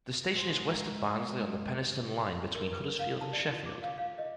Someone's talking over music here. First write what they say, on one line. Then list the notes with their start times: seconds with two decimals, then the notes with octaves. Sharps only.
The station is west of Barnsley on the Penistone Line between Huddersfield and Sheffield.
0.35 G#3 C5
2.55 A#4
2.73 B4
2.99 F5
3.21 A5
3.33 D5
3.52 F4
3.66 G#4
3.83 F5
3.98 F5
4.18 D#5